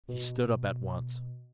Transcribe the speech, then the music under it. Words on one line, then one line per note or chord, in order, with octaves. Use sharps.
He stood up at once.
B2